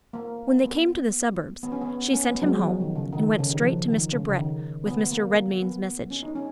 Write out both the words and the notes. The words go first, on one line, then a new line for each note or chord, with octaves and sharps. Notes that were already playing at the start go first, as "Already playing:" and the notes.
When they came to the suburbs, she sent him home, and went straight to Mr. Brett with Mr. Redmain's message.
A#3
B3
B3
C#4
B3
C#4
B3
F#3
G#3
F3
F#3
D#3
C#3
D#3
C#3
D#3
F3
D#3
C#3
C#3
D#3
B3
A#3
B3
C#4
D#4
C#4